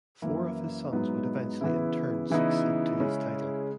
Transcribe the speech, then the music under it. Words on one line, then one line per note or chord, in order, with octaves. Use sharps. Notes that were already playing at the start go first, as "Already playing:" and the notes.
Four of his sons would eventually in turn succeed to his title.
F#2 E3 A#3 E4
G#2 F#3 B3 D#4
C#3 E3 B3 E4
C#3 E3 B3 D#4 E4
C#3 G#3 C#4